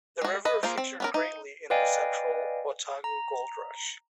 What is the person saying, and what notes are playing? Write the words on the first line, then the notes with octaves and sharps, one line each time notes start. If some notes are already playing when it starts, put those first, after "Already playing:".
The river featured greatly in the Central Otago goldrush.
G#3 F#4
B4 D#5
A#3 F4 G#4 C5
C4
B3 C#4 A#4
D#4
B4 D5 D#5 F5 G5 G#5
A#5